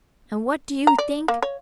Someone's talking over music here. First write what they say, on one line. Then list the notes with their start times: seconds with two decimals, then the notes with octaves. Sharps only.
And what do you think!
0.87 A#5
0.98 D5
1.28 A#3
1.42 C#5